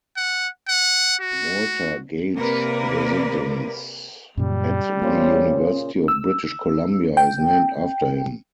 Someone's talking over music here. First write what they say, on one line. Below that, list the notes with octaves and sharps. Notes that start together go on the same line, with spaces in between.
Walter Gage Residence at the University of British Columbia is named after him.
F#5
F#5
F#4
C3 A#3 A#4 B4 D5
F#2 A#2 C#3 G3
A#2 C#3 A#3 C5
E6
G5